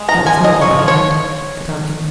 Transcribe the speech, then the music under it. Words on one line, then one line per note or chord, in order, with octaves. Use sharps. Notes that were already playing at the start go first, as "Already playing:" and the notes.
"That was not what I meant," said Aunt Emmy.
Already playing: G#3
D#4 A#5
F3 G#5
D#4 D#5
F3 C#5
F3
C#5